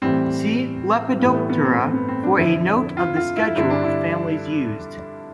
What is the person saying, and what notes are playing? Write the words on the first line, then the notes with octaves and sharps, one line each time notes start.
See Lepidoptera for a note of the schedule of families used.
A2 E3 G3 C4
A2 E3 G3 B3
A3
B3
C4
C4
B3
C4
D4
F2 D3 F3 E4
F4
F4
E4
G2 D3 G3 E4
D4
E4